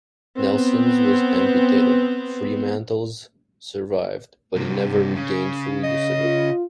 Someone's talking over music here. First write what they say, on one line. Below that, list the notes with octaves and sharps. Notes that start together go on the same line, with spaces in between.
Nelson's was amputated; Fremantle's survived, but he never regained full use of it.
B3 C4
G2 C3
C#3
D#5
F4